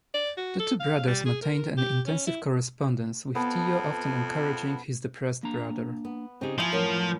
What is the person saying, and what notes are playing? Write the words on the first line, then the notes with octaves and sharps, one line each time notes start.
The two brothers maintained an intensive correspondence, with Theo often encouraging his depressed brother.
D5
F#4
A4
F5
G3
G#4
A#4
G4
C#4
E4
F2 B3 A5
A#3 D4 A#5
B3
C#3 C4 D#4 G4 G#4
F3 E4 D#5 G#5
F#2 A2 B3 C#4 A#4